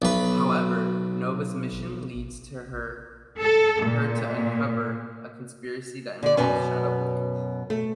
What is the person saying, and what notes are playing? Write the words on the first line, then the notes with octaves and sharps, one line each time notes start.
However, Nova's mission leads her to uncover a conspiracy that involves Shadow Blade.
B1 B4
A4
A#2
D3 D5
F#2 B2 B3 C#4
A3